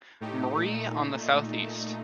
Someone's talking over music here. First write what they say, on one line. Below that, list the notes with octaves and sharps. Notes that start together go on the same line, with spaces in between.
Marie on the southeast.
A2 A3 D#4 G4
A#2 A3 D#4